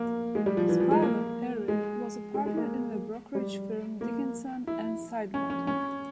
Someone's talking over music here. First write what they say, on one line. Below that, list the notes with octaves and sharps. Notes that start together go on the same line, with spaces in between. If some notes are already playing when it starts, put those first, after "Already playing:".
His father, Eric, was a partner in the brokerage firm Dickinson and Sidebottom.
Already playing: A#3
G#3
G3
F3
E3
F3
G#3
A#3
G#3
G#3
G#3
A#3
G3
A#3
E4
C#4
C#4
C#4